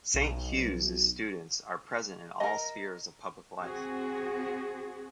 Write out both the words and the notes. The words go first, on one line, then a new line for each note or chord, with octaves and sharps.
Saint Hugh's students are present in all spheres of public life.
B1
A#4 D#5
C4 F#4 G#4